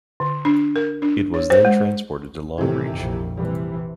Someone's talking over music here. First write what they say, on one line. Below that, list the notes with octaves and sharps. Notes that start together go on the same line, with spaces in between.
It was then transported to Longreach.
D3
D4
A#4
D4
C#5
C5
G#3
A2 C3 D#3 E3
A#1 F2
C3 E3 G3